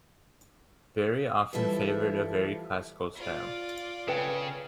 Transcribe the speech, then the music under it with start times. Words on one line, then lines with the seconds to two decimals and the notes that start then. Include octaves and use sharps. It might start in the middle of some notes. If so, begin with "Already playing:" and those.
Barry often favoured a very classical style.
1.53 E3 F3 G3 E4 A4 E5
3.15 F4 D5
4.08 C#3 A4 B4 G5